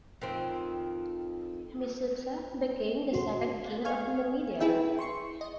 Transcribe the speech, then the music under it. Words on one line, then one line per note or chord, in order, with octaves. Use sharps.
Micipsa became the second king of Numidia.
F2 D#3 C4
F#4 C6
F5 G#5 C#6 F6 G#6
E4 G#4 B4 E5 G5
C6 C#6 C#7
D#5